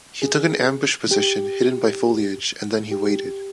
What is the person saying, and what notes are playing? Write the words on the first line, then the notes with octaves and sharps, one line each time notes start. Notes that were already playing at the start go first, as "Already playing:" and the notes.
He took an ambush position hidden by foliage and then he waited.
G#4
G4
G4